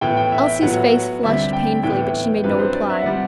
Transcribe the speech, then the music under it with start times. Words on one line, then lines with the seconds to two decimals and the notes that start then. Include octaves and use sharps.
Elsie's face flushed painfully, but she made no reply.
0.01 A2 E3 B3 G5
0.17 G5
0.32 E5
0.46 G5
0.62 A2 F#3 B3 F#5
1.23 D2 C3 G3 E5
1.53 G5
1.83 A2 E3 B3 G5
2.44 G2 F#3 C4 B4
2.59 C5
2.74 D5
2.90 E5
3.01 C3 G3 C4 F#5